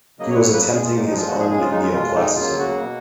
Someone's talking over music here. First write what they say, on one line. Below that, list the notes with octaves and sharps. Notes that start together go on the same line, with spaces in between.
He was attempting his own neo-classicism.
C#3 F#3 A#3 D#5
C#5
B4
C#5
B4
B2 G#3
G#4
F4
D#4
A#2 F3 G#3 D#4
F4
F#4
G#4
C#3 G#3 G#4
F4
D#4
F4
B2 G#3 F4
D#4
C#3 F#3 A#3 F4
F#4
B2 A#3